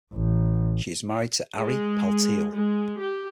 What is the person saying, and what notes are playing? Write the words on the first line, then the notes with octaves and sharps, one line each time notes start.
She is married to Ari Paltiel.
A1
G#3
G#3
G4